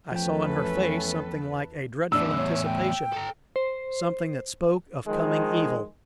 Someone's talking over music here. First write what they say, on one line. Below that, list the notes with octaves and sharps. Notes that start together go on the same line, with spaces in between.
I saw in her face something like a dreadful anticipation--something that spoke of coming evil.
E2 F3 A3 C#4 A4 B4 G5
E2 A2 D4 E6
C#5
G5
A4 A#5
C5
D#3 F3 G#3